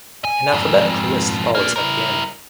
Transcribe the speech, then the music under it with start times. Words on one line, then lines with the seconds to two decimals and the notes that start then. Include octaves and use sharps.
An alphabetical list follows at the end.
0.25 G#5
0.52 F2 G#2
1.55 A#3 D4
1.76 E4 A#4